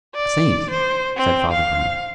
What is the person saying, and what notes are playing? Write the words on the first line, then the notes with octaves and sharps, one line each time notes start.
"A saint," said Father Brown.
D5
C5
C4
F5